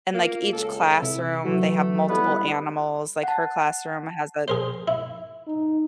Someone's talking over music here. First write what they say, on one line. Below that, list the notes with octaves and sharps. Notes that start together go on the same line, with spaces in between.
and like each classroom, they have multiple animals, like her classroom has a
A#3 F4
C#2 A4
C3 E4
E3 F#3 A3 F#4 B4
G3 B3 E4 A4 B4 D#5
F#5 A5
G#4 A#4 C5
E4
D#4